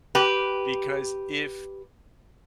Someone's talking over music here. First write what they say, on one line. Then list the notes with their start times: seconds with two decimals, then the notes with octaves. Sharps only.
Because if
0.15 G4 B4